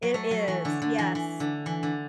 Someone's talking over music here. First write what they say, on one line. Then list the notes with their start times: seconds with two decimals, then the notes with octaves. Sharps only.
It is, yes.
0.02 F#3
0.14 A3
0.31 F#3
0.48 E3
0.65 D3
0.82 D3
0.98 E3
1.15 E3
1.40 D3
1.66 E3
1.83 D3